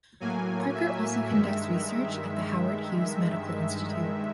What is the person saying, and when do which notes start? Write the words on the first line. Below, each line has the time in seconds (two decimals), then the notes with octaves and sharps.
Parker also conducts research at the Howard Hughes Medical Institute.
0.20 A2 F#3 A#3 G#5
0.75 E5
1.29 G2 D#3 G#3 E5